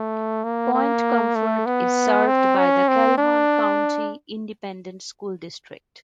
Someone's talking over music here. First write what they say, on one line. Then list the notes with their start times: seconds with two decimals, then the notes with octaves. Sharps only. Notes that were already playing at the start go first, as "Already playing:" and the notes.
Point Comfort is served by the Calhoun County Independent School District.
Already playing: A3
0.44 A#3
0.74 A#3
1.36 A3
1.66 B3
2.27 C4
2.58 C#4
2.88 C4
3.18 D4